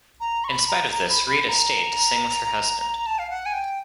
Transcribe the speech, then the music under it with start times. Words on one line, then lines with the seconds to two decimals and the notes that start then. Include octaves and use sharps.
In spite of this, Rita stayed to sing with her husband.
0.20 A#5
0.44 C#6
0.48 B5
0.68 A#5
0.92 A#5
1.09 B5
1.27 B5
1.45 B5
1.49 A#5
3.06 A5
3.19 F5
3.30 F#5
3.46 G#5
3.53 G5